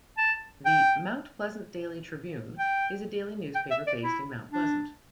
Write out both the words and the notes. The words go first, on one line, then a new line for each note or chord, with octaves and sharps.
The "Mount Pleasant Daily Tribune" is a daily newspaper based in Mount Pleasant.
A5
G5
G5
G5
E5
D5
E4
D4